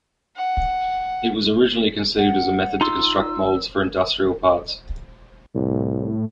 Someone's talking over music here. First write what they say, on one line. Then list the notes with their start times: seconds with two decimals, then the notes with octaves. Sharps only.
It was originally conceived as a method to construct molds for industrial parts.
0.36 F#5
2.17 F#5
2.81 D#4 F4 C6 E6
5.55 C2 A2